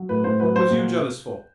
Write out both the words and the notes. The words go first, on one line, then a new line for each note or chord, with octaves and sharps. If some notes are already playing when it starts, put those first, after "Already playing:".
What was you jealous for?
Already playing: F#3
A2 B4
A2 C5
F#3 B4
F#3 C5
A#2